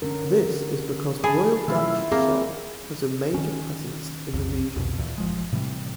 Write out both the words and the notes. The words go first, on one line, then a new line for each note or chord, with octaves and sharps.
This is because Royal Dutch Shell has a major presence in the region.
D3 C#4 A#4
G#4 A5 B5
B2 D#3 F#3 A3 E4 F4 E5
A#3 C4 G#4
D#3 C#4
B1 F2
C2 F2 B2
D2 A#2 E3
G1 F3 G#3
A2 C3 E3 G3